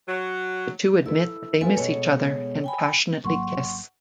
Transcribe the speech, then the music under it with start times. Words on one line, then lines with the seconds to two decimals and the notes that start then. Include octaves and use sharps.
The two admit that they miss each other and passionately kiss.
0.08 F#3
1.06 E4 A4 B4 E6
1.61 E4 F4 A4 B4 G#5
1.77 B2 G#3 A4 C#5
2.64 G5 G#5 B5
3.24 G#1 F#3 A#3 F#5 C6 C#6